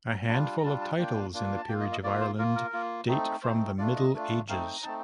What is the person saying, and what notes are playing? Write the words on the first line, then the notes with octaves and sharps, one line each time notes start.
A handful of titles in the peerage of Ireland date from the Middle Ages.
A#5
G3 D4 F4 A5
A#5
G3 D4 F4 A5
A5
A#3 D4 F4 G5
A#3 D4 F4
A5
A#3 F4 G5
D#5
D#5
A#3 F4 D5
C5
A#3 F4 A#4
A#4
A#3 F4
A3 C4 D#4
A3 C4 D#4 C5
A3 D4 F4 D5
D#5
A3 D4 F4
A3 C4 D#4 F5
G5
A#5
A3 C4 D#4 A5